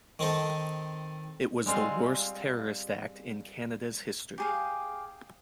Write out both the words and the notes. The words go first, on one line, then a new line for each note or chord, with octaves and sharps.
It was the worst terrorist act in Canada's history.
D#3 C4 D#4 A4
G3 G#3 C4 F4
G4 G#4 F5